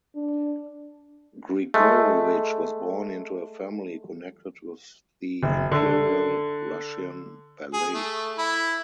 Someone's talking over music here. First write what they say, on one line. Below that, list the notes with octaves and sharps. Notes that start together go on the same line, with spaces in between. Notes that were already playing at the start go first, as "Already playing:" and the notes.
Grigorovich was born into a family connected with the Imperial Russian Ballet.
D4
G#3 A3
F#1
D3
G#4
A3
E4